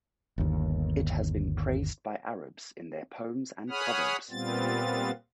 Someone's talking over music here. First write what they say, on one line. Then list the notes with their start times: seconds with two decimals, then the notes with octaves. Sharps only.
It has been praised by Arabs in their poems and proverbs.
0.38 G1 D#2
3.70 G#4 C#5 F#5 B5 D#6 F6
4.30 A#2 G3 B3 C4 F4 A6